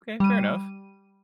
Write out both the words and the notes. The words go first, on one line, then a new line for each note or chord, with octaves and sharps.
Okay. Fair enough.
G3 D#7